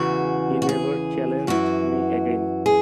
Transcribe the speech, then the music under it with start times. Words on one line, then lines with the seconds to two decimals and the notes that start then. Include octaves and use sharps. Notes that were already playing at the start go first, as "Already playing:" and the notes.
He never challenged me again.
Already playing: E2 C#3 E3 F#4
0.62 F#4
0.69 G#4
1.47 F#2 E3 F#4
2.66 G#4